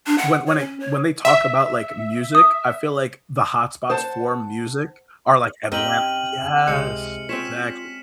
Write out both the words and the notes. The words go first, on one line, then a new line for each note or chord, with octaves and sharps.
when when it when they talk about, like, music, I feel like the hot spots for music are like Atlantic Yes, exactly.
D4
F#5
C#5
C#4
C#5
E5
D#6
C5 F#5 A5
F#2 C4 D#4 G4 G5 F6 D#7 F#7
C#2 C3 G#3 C#7
C4 C#4 F4 C#5 B6 E7